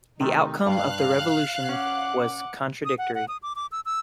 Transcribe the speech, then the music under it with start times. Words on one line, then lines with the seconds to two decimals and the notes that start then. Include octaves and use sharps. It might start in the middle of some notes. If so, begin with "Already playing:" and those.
The outcome of the revolution was contradictory.
0.21 C3 D#3 A3 D#4
0.67 G2 F5 F#6
1.69 C#4 F#5 D6
2.85 D#6
2.98 F#5
3.15 F#5
3.28 D#6
3.43 D6
3.56 D6
3.72 E6
3.85 E6